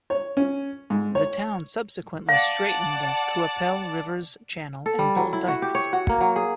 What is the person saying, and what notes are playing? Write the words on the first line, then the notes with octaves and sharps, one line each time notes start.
The town subsequently straightened the Qu'Appelle River’s channel and built dikes.
C#5
C#4
G#2
C#5
D5 F5 F#5 A5
A4
G3
F#3
E4
F#4
G4
C#5
F#4
A#3
F#3
G#4